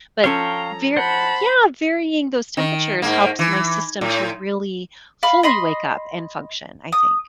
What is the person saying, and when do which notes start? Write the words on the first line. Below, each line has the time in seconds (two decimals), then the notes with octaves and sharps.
but, var Yeah, varying those temperatures helps my system to really fully wake up and function, I think.
0.24 F3 C#4 A4 F5 G5 A#5 C#6
0.97 C5 F#5 A5 B5
2.57 D#3
3.02 G#2 A#3
3.39 E3
4.01 A2
5.23 F5 B5
5.43 D#5 B5 C6
6.92 D#6